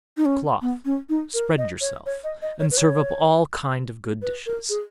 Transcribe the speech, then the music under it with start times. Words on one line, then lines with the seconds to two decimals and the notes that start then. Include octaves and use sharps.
'Cloth, spread yourself, and serve up all kind of good dishes.'
0.17 D#4
0.25 C#4
0.62 B3
0.85 C#4
1.09 D#4
1.34 A#4
1.58 D#5
1.81 C#5
2.06 C#5
2.24 D#5
2.42 D#5
2.60 C#5
2.71 B4
2.77 C#5
4.22 B4
4.46 A#4
4.69 G#4